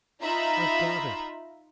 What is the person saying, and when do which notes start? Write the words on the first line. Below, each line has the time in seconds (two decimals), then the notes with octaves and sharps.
I've got it!'
0.22 D#4 F4 E5 A#5 B5